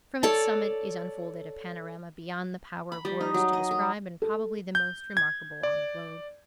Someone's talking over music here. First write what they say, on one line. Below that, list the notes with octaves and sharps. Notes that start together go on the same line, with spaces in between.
From its summit is unfolded a panorama beyond the power of words to describe, and probably the most remarkable on the globe.
A4 C#5 D5 A5
B5
G3
D#4
F#3
D#5
A#4
A4
G6
G#6
D5